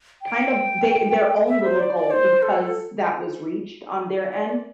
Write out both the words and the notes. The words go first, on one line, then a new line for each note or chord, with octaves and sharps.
kind of, they their own little goal because that was reached on their end,
G5
E5
C5
D5
D5
C5
A4
D5
D5
D5